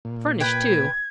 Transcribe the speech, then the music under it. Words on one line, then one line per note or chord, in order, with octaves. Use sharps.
Furnished, too.
A#2
B4 G5 G#6